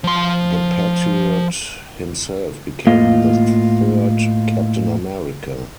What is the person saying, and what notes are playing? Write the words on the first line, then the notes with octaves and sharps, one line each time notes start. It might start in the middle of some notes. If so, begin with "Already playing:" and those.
The Patriot himself became the third Captain America.
F3 C6
A2 A#3 F4 D#5